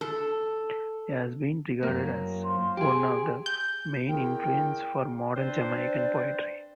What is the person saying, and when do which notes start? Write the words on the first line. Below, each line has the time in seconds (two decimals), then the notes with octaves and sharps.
He has been regarded as one of the main influences for modern Jamaican poetry.
0.01 A4
1.83 F#2 A#3
2.44 F4 C5 C6
2.77 G4 G#4
3.46 G6
4.09 E2 A#4 G5
5.35 C4 D4 B4 C5 D5